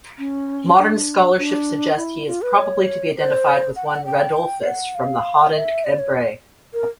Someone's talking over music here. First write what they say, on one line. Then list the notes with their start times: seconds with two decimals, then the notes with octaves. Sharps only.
Modern scholarship suggest he is probably to be identified with one Radulfus from Hodenc-en-Bray.
0.19 C#4
0.78 D4
1.38 D4
1.97 E4
2.27 F4
2.42 B4
2.57 C#5
3.17 C5
3.76 F#5
3.86 G5
3.96 F#5
4.05 G5
4.65 F#5
4.95 F5
5.54 E5
5.85 D5
5.99 C#5
6.74 A#4